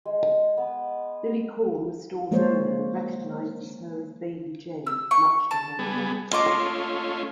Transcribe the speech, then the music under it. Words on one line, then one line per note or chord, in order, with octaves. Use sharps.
Billy Korn, the store's owner, recognizes her as Baby Jane much to her delight.
G#3
B3
F3 G#3 A#3 G#4 C5 C#5
E6
C#6
A5
G3 B3 G#4
A3 C#4 F4 D#5 C6 D6